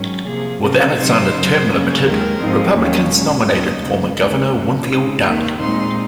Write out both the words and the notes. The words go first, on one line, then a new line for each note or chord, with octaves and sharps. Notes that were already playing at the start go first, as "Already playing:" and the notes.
With Alexander term-limited, Republicans nominated former Governor Winfield Dunn.
Already playing: G#2 D#3 F#3 C#4
C3 F3 A#3 G#4
C3 F#3 C#4 A#4
C3 F#3 C4 D#4 C5
F#2 C#3 F#3
C#3 F#3 A#3 C#4
D#2 D#3 G#3 A#4
G#2 F3 C4 D#4
D#2 D#3 F#3 A#3 C#4 C#5
A#2 G#3 C#4
D#2 D#3 F#3 C#4 D#5
C#3 G#3 D#4
D#2 C#3 G#3 D#4
C3 F#3 A#3 C#4
C#3 G#3 C4 D#4
D#2 D#3 A#3 D#4
A#2 G#3 C4 D#4 C6